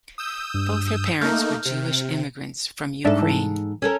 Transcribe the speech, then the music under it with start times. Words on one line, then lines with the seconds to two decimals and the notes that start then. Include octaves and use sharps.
Both her parents were Jewish immigrants from Ukraine.
0.18 D#6 E6 G6
0.54 G2
1.21 A3 A#3 D#4 F6 G6
1.65 C3
3.05 G#2 D4 A4 D5 E5
3.23 E3
3.82 C#4 A4 A#4